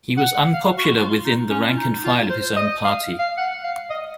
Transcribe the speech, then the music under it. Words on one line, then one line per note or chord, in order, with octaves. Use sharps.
He was unpopular within the rank and file of his own party.
F#5
F#5
F5
F#4
F4
F4
F4
D#4
C#4
F4
D#4
F4
C5
D#5
F5
F5
F#5
F5
D#5